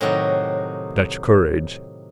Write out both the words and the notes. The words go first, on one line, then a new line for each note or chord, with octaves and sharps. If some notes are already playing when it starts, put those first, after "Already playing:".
Dutch courage.
A2 C3 D#3 F#3 D#4 F#4